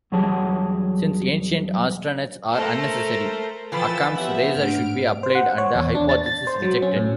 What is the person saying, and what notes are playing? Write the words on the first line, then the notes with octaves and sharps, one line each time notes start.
Since ancient astronauts are unnecessary, Occam's razor should be applied and the hypothesis rejected.
E2 F#3 G3 G#4 C#5 A5
A3 A4 A#4 C5
E3 F3 B4 G5 E6 A6
B3 C#4 G4 E5 F#5
G#2 A3 D4 F6 D7
C5
F#5
C#5
E2
D4
A6
A6
C5
F#3
C#4
A2